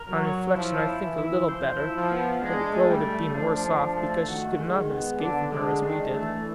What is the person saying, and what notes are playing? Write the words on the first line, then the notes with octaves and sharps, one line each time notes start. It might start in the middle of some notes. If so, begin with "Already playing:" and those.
On reflection, I think a little better; but the girl would have been worse off, because she could not have escaped from her as we did.
Already playing: A#4
F#3
C#5
F3 E4
E4
E3
E4
F3 C5
E4
F3
B3
G#3 D4
A3
G3
A3
F3 D4
D4
A3
D#3 F#4
G#3
B3
D3 D4
D3 G#3
D#3 D4
E3 A3